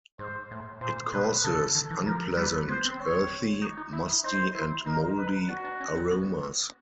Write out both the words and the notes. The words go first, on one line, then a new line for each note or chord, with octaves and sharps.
It causes unpleasant earthy, musty and moldy aromas.
G#2 C5
A2
A#2 C5
B2 B4
C#3 A4
D#3
E3
F3 A#4
G3 B4
B3 C5
C4
C#5
D#4
D#4
E4
D#4 C5
E4
D#4 A#4
B4
D4 F#4
D4
C#4
C4
B3